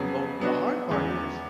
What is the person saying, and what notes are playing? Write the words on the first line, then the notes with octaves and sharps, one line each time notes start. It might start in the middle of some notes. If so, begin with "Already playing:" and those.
but w the hard part is
Already playing: F2 C#3 F#3 B3
F#3 B3 D4 F#4
E2 C#3 E3 G#3